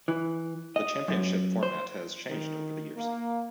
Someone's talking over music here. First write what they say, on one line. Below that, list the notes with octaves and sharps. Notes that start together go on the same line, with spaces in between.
The championship format has changed over the years.
E3
D#5
F#2
C5
D#3
A#3